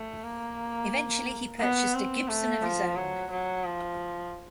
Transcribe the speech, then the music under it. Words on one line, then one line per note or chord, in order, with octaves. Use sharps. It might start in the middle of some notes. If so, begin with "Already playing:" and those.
Eventually he purchased a Gibson of his own.
Already playing: A3
A#3
B3
C4
A3
F3
F#3
F#3
F3